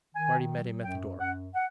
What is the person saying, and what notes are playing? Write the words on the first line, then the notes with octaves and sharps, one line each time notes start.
Marty met him at the door.
D#3 G#5
F#3
F#2 G5
F#2 F#5
F#5